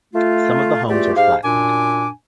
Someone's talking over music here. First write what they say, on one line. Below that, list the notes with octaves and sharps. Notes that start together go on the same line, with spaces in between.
Some of the homes were flattened.
A3 F4
E2 A3 F4 G4 D5
G#2 G4 F5
F#2 A#2 D4 G#5 D6